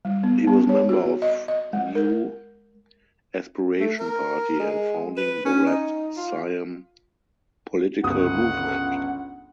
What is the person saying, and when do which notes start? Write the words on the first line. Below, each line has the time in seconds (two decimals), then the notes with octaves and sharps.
He was member of New Aspiration Party and founding the Red Siam political movement.
0.05 G3
0.23 B3
0.47 B3
0.69 C#5
0.89 F#4
1.22 D#5
1.48 D#5
1.73 G#3
1.95 A#4
3.79 A3
4.00 A#4
4.60 G#3
5.17 B4
5.45 C#4
5.67 D#4
6.17 F4
8.04 G1 C#2 F#5 D#6